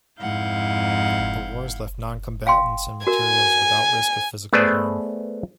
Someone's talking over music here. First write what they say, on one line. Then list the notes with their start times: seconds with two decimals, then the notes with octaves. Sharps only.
The wars left noncombatants and materials without risk of physical harm.
0.20 F2 G#2 E4 F5 F#5 G6
2.47 F5 G5 C6
3.07 F#4 A#4 G#5
4.53 A3 B3 G#4 B4 C5 D5